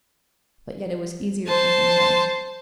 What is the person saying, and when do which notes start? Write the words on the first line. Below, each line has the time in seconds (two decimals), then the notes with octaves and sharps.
But yet it was easier for him then.
1.48 C5 A5